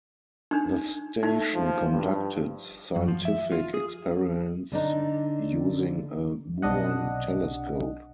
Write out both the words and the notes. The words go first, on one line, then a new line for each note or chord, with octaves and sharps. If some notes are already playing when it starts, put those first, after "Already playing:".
The station conducted scientific experiments using a muon telescope.
D4 D#4
A3 D#4
F3
G2
F#2
F3
E5
F4
G#4
D3 D4 D#4
B1 C3 D4 D#5 F#5